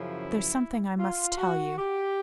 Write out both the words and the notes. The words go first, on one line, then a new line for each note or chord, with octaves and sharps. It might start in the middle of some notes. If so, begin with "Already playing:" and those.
'There's something I must tell you.
Already playing: F#2 C#3 F3 E4
F4
F#4
G4